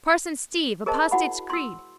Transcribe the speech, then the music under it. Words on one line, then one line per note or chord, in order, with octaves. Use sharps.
Parson Steve, apostates' creed!
G#4 A#4 C5 D#5 A5
E4 F#4 F#5 B5
C6 E6